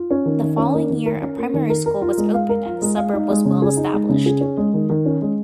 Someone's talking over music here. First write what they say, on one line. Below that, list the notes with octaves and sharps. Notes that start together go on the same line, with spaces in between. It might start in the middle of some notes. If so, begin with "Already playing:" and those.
The following year a primary school was opened and the suburb was well established.
Already playing: F4
C#4
D#3
D#3
C#4
A#3
D#3
A#4
C#4
A#3
D#3
A#4
A#4
F4
G#3
F5
A#4
F4
G#3
F5
D#4
G#3
C#3
G#4
D#4
G#3
C#3
G#4
C#4
G#3
D#3
D#3
C#4
G#3